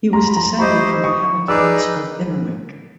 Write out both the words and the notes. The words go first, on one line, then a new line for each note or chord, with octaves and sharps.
He was descended from the Hamiltons of Innerwick.
A#5 C6
B5
A#5 C6
E4 G4 C5 D#5 B5 C#6
C#6 D#6
D#4 G#4 B4 D5 D6 E6